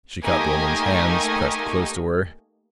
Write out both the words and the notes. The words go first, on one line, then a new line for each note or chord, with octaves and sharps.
She caught the woman's hands, pressed close to her.
A3 A#3 D#4 G4 D#5 G#5